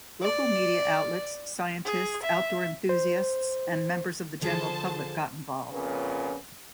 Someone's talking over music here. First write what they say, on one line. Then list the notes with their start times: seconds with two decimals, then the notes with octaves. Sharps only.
Local media outlets, scientists, outdoors enthusiasts and members of the general public got involved.
0.23 D5
1.85 G#4
2.22 E5
2.89 C5
4.41 D3 F3 G#4 C5 A5
5.73 F2 A#2 C#3 F3 B3 C#4